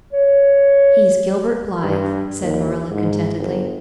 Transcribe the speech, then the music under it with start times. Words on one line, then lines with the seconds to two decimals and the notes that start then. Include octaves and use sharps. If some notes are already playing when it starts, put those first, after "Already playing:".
"He's Gilbert Blythe," said Marilla contentedly.
0.13 C#5
1.83 G2
2.41 D#2
2.90 G#2
3.39 G1